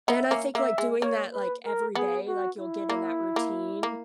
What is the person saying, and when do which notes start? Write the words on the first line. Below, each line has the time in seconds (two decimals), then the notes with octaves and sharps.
And I think, like, doing that, like, every day, like, you'll get in that routine,
0.08 B3 D#4 E5
0.31 A#3 C#4
0.55 A#3 E5
0.78 G#3
1.02 A#3 C#5
1.33 B4
1.65 A#4
1.95 B3 G#4
2.28 F#4
2.59 E4
2.89 A#3
3.36 A#3
3.83 A#3